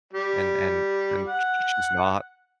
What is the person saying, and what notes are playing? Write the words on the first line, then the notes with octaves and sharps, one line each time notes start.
and and and sh sh she's not.
G3
F#5